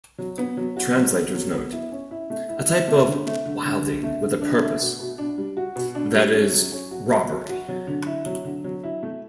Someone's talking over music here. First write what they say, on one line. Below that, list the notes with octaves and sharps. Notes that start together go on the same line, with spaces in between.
Translator's note: a type of "wilding" with a purpose, that is, robbery.
F#3
B3
F#3
F#4
F#3
B3
F#3
B3
E4
C#4
E4
A3
E4
E4
A3
D3
A3
D3
D3
D3
A3
D3
D4
A3
B2
B2
D4
G3
F#4
B2
D4
G3
C#4
F#3
C#4
F#4
F#3
F#3
F#4
F#3
D3
E4
F#3
D3
F#3
E4
A3